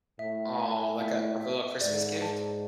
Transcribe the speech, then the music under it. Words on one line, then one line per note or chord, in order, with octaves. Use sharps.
Aw, like a like a little Christmas gift?
A2 E5
G#5
E5
E5
G#2 D5
A5